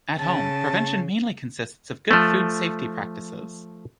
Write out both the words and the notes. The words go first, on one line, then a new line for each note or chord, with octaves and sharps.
At home, prevention mainly consists of good food safety practices.
C#3 A5
F3 A3